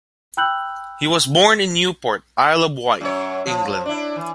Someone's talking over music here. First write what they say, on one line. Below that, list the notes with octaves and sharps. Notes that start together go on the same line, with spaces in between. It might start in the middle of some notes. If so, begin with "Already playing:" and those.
He was born in Newport, Isle of Wight, England.
G5 B5 E6 F#6 G6 F#7
F#2 C#5
F3
D4 E4
E3